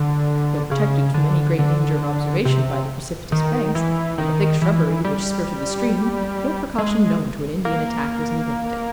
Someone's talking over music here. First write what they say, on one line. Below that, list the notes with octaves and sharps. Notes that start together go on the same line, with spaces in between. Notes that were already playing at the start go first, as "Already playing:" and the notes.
Though protected from any great danger of observation by the precipitous banks, and the thick shrubbery which skirted the stream, no precaution known to an Indian attack was neglected.
Already playing: D3
C#3
D3
D3
C3
D#3
E3
D#3
E3
G3
G#3
A#3